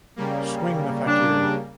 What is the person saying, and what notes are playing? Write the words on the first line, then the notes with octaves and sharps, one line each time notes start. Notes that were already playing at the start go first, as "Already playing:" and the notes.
Swing the Fakir.
C#3 G3 A#3
D4